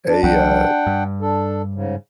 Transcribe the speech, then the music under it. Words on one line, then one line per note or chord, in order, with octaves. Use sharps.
a, uh
D4
C2 E3 F#3 D4 F#5 G5
G2
D4 A4
G#2 C#3